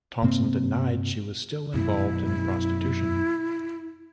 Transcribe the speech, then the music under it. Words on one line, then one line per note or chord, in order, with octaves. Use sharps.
Thompson denied she was still involved in prostitution.
G2 C3 A#3 C4
F#2 B2 E4